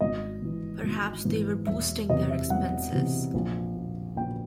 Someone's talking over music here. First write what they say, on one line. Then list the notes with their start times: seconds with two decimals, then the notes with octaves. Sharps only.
Perhaps they were boosting their expenses.
0.01 G#1 D#5
0.42 G#2 E3
0.84 G#1
1.25 G#2 E3
1.67 E1 E5
2.09 E2 C3 D#5
2.30 E5
2.50 E1 F#5
2.92 E2 C3
3.34 A#1
3.76 A#2
4.16 A#1 G5